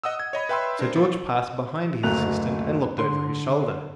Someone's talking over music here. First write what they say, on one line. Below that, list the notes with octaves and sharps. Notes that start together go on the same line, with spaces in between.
Sir George passed behind his assistant and looked over his shoulder.
D#5 F#5 D#6 E6
G#6
C#5 D#5 B5
B4 E5 G5 B5 C6 E6
D4 A#4 C5
A#2
F#1 D2 A3 A#3 F#6 F7
D3 C6